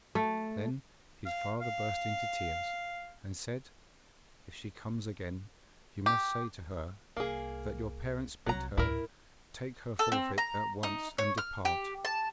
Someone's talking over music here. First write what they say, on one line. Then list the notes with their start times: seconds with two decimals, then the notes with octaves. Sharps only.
Then his father burst into tears and said, 'If she comes again you must say to her that your parents bid her take her forfeit at once, and depart.'
0.15 A3
1.26 F5
1.61 F5
6.06 G4
7.17 C2 A#3 G#4
8.46 C2 F#3 C4 A#5
8.78 D2 A2 E4 A#4
9.99 A4
10.12 C4
10.38 A#5
10.83 D#4
11.18 C#5
11.38 F6
11.65 G4
12.05 A5